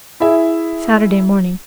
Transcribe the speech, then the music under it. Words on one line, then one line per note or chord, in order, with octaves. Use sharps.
Saturday morning.
E4 G#4 E5